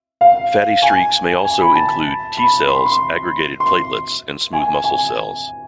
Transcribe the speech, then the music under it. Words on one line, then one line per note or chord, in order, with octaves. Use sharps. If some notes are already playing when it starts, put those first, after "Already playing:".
Fatty streaks may also include T cells, aggregated platelets, and smooth muscle cells.
F5
G#5
G#5
B5
A5
B5
C6
B5
C6
C6
G#5
G#5